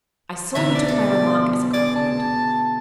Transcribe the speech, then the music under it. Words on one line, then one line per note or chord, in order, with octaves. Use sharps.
I saw he took my remark as a compliment.
B2 D3 E3 E5
D5
A4
G#4 D5
A5